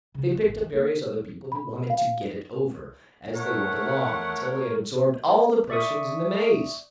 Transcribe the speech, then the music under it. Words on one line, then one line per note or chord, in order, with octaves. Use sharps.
They picked up various other people who wanted to get it over, as they went along, until they had absorbed all the persons in the maze.
C#3
C4
G#1
D#3
A#3
B5
F5
A3 A#4 C#5 F#5
D5 E5 C#6 D#6